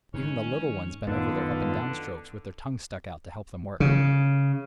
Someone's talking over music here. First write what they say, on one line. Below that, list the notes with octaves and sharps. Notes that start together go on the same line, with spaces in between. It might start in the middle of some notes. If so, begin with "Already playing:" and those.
Even the little ones bent over their up and down strokes with their tongues stuck out to help them work.
G#2 D#3 C#4
F#2 D3 D#3 B3 F4
C#3